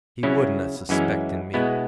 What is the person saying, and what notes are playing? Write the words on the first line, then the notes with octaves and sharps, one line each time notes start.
He would’n ha’ suspect’n me.
C#3 F#3 C#4 E4
F#2 E3 G#3 C#4 E4
B2 G#3 B3 E4